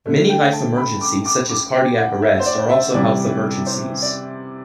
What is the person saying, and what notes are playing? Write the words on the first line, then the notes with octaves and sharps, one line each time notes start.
Many life emergencies, such as cardiac arrest, are also health emergencies.
D3 A3
G5
A5
B5
D6
D6
D6
G5
F#5
E5
C5
D5
E5
C3 E3 G3 D5
C5
D5